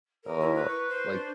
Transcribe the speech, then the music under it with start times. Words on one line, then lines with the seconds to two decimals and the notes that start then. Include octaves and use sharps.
Uh, like
0.24 A#4
0.41 E4
0.55 B4
0.67 C#6
0.88 C5
1.12 D4